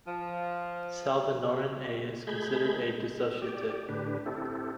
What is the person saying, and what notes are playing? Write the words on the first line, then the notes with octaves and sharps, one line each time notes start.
Salvinorin A is considered a dissociative.
F3
G#3 A3 G#4 B5 G6 G#6
G#3
G4 D5
A2 D3 D4 G4 B4
C4 E4 G4 A4